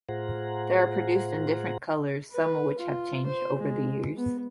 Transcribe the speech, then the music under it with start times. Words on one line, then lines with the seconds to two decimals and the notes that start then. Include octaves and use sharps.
They are produced in different colors, some of which have changed over the years.
0.09 A2 F4 G#4 C5 F#5 A#5
2.31 B4
2.79 F4
3.26 C5
3.58 G#3
4.17 B3